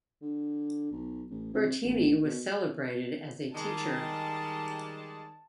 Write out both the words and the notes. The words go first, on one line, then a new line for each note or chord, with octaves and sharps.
Bertini was celebrated as a teacher.
D3
B1
A1
C3
A1
B2
D#3 G3 G#3 A5